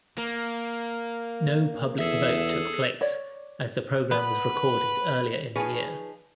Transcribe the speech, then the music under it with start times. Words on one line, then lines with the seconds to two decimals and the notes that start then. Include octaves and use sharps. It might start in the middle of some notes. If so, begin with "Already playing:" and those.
No public vote took place, as the programme was recorded earlier in the year.
0.18 A#3
1.99 E2 G#4 A4 E5
3.01 C#5 D5
4.11 B3 B4
5.56 F3 D#4 G#4 B4 C#5